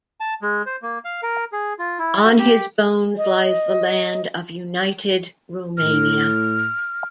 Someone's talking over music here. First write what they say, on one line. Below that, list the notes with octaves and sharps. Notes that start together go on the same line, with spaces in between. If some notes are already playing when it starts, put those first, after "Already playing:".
On his bones lies the land of united Romania.
A5
G#3
C5
A#3
F5
A#4
G#4
F4
E4
F#4
G4
D#5
A2 F6